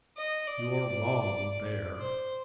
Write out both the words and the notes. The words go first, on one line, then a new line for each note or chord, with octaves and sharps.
"You are wrong there."
D#5
D5
C5